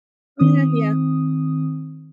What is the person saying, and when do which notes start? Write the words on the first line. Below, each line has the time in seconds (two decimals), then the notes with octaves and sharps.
Yeah, yeah.
0.39 D#3 C4 D#6